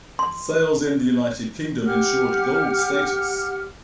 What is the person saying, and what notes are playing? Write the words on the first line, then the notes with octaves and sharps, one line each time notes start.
Sales in the United Kingdom ensured Gold status.
C6
G4 F#5 F6